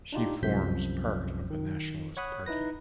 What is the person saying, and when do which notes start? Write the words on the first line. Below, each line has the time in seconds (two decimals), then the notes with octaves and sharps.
She forms part of the Nationalist Party.
0.13 D4 D#4 F4 G4
0.42 C2 F#2 C3 F3 G6 B6
1.50 D#3
2.17 C#5 F#5 B5 D#6 F#6
2.46 D#4 E4 B4 A#6